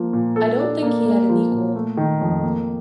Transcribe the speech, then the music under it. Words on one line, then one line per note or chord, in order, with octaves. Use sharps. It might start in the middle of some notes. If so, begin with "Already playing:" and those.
I don't think he had an equal.
Already playing: F3 A#3
A#2
A4
D4
A#3
A#3
F3
A#2
A3
D#3
F2
A#3